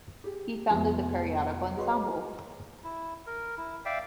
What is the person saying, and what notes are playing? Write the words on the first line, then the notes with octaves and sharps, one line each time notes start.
He founded the periodical Ensemble!
G4 G#4
F1 A#1 B3 G#4 E5
F#4 G#4 B4 C#5 D#5 C6
E4
A#4
E4
D5 E5 F5 G5